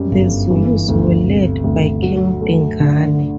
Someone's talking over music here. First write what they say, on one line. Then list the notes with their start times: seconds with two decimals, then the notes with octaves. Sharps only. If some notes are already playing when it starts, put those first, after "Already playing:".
The Zulus were led by King Dingane.
Already playing: F#2 G3
0.11 G1
0.50 E3
0.88 D2
1.26 C3
1.64 D2
2.02 F#3
2.41 A3
2.80 D3